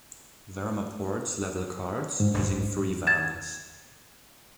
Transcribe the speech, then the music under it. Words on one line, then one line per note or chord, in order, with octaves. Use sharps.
Vermaports level carts using three valleys.
G#2
G#6 A6 E7